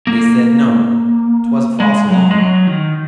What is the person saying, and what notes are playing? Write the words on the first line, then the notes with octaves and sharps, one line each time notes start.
They said, no, 'twas a false alarm.
A#3
G#3
F#3
G#3
F#3
D#3